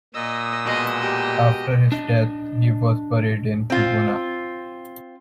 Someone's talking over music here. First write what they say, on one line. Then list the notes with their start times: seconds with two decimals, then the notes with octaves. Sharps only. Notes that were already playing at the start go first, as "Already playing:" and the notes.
After his death, he was buried in Kubuna.
0.14 A#2 D#5 D#6 E6
0.66 B2 G#3 D#5
1.00 G4 D#5
1.92 D4 D#5
3.70 C4 F4